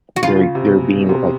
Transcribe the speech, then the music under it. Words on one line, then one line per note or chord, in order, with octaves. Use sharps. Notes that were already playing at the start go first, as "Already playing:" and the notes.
They're they're being, like,
F#4
C#3 F4
C3
B2
B2
C3